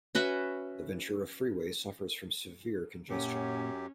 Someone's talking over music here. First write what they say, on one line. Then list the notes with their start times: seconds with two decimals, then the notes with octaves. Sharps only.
The Ventura Freeway suffers from severe congestion.
0.15 C#4 F#4 B4 E5
3.10 F#2 A#2 F#3 C#4 G4